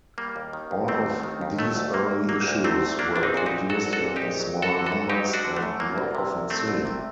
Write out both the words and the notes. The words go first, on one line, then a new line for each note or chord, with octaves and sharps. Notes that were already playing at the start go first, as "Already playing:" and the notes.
All of these early issues were produced in small numbers, and not often seen.
G3 A#3
D#2
D#3
D#2
G3 A3 C4
D#2
D#3
D#2
F#3 A3
D2
C3 A#3
D2
F#3 A#3
D2
C3 A3 C4
D2
F#3 A#3 D4
A#1 D4
C4 D#4
A#2 F#4
D#4 G4
A#1
F#3 F#4 A4
A#1
F#4 A4
A#2
D#4 G4
A#1
F#3
F#2
F#4 A4
D3
F#4 A4
F#2
F#3 D#4 G4
F#2
D4 F#4
D3
A3
F#2
F#3 A#3
C2
C3
C2
F#3 A3 C4
C2
C3